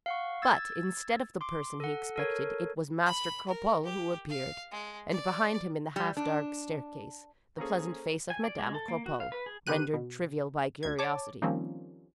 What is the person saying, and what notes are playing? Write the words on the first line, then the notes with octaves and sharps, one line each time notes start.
But, instead of the person he expected, it was Master Cropole who appeared, and behind him, in the half-dark staircase, the pleasant face of Madame Cropole, rendered trivial by curiosity.
F5 F#5 C#6
E6 G#6 A6
C6 D6
A4 F#5
A4 A#4 C#5
B5
A#4
G4
F5
G#3
D5
G3
D4
A#3 C#4 G#4 A4 C5 A#5
G#5
D5
G#3
A4
A#3
F#4
F5
B4
G#4
D3 B3 G4 F#6 D#7
B2
D2 G#6
C#5 A5 D6
D#3 F3 G3 A#3 C4 C#4